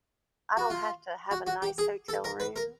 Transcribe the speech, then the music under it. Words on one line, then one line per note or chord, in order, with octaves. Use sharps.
I don't have to have a nice hotel room,
F#4
F4
F#4
F#4
G4
G#4
A4
A#4
B4
A#4